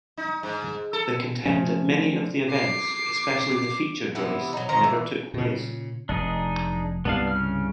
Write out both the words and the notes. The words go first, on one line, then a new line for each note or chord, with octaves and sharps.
They contend that many of the events, especially the featured race, never took place.
D#4
G#2
A4
F3 A3 C#4
D6 C7
C3 E3 B3
F#3 D#4
D#3 C5 A#5
E3
A#2 C#3
F1 D4 D#4 G#4
C2 G2 B3 D4 F5
C#3 F6